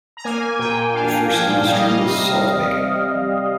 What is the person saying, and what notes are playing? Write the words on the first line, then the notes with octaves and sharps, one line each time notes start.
The first industry was salt-making.
A#5
A#3 G#5
A#2 G5
D4 F5
F3 G5
G3 F5
D#5
F5
D#5
C3